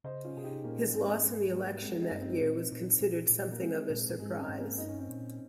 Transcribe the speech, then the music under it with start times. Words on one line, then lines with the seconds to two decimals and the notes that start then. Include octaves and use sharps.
His loss in the election that year was considered something of a surprise.
0.04 C#3 C5 D#5
0.24 C#4 F4
0.35 C3 G#4
0.44 D#4 G4
0.64 A#2 A#3 C#4
0.93 G#2 G#3 C4
1.23 G#3
1.52 G3 A#3
1.82 G#3 C4
2.02 C4 D#4
2.11 G2
2.21 C4 D#4
2.41 A#2
2.72 A#2
3.01 A#2
3.30 A#2
3.51 A#3
3.60 G#3 C4
3.90 A#2
4.09 A#2
4.19 G#2 G#3
4.33 C#4
4.39 G#3 C4
4.49 G#2
4.59 A#3 C#4
4.78 G2 D#4
4.88 C#4
4.98 C4 D#4
5.08 A#2